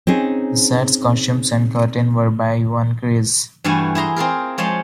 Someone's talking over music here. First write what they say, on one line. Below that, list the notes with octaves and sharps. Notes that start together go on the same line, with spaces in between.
The sets, costumes, and curtain were by Juan Gris.
C4 C#4 D#4 G#4
G2 E3 A3 E4 F#4 G#5
E4 G#4 A#5 C6
C4 F4 G#4 A#4
F3 G#3 C#5 A5 C6